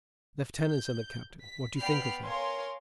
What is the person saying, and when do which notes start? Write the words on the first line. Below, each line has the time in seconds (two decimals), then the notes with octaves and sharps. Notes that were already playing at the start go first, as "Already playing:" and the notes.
"Leftenant," said the captain, "what do you think of her?"
0.58 G6
1.42 B6
1.78 B3 D5 G5 B5 F6 C7
2.23 A#4 C#5 F5 G#5 C6